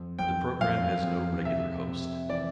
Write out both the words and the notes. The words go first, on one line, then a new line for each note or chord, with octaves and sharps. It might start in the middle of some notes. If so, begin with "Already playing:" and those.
The program has no regular host.
Already playing: F2
F2 G5
F2 F5
F2
C3 E5
C3
E3 D5